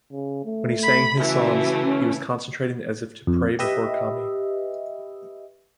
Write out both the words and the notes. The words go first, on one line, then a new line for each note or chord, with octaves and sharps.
When he sang his songs, he was concentrating as if to pray before kami.
C#3
A3
B5
C#3 E3 A3 F#4 E5
C#4
F2
G4 B4 D#5 E5